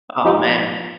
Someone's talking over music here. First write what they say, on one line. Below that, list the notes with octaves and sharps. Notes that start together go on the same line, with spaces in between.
Oh, man,
F3 D#4 G4